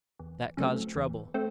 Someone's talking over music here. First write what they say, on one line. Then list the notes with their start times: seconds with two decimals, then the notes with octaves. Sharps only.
That caused trouble.
0.19 E2
0.57 C#3 F#3 A3 C4
0.96 E2
1.34 A3 C4